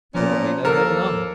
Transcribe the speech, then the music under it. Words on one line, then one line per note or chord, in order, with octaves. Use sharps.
Probably they had none.
A#2 F3 B3 C#4
D#2 A#3 A4 A#4